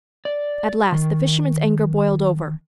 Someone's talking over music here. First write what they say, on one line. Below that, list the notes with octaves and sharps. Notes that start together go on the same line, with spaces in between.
At last the fisherman's anger boiled over.
D5
D#3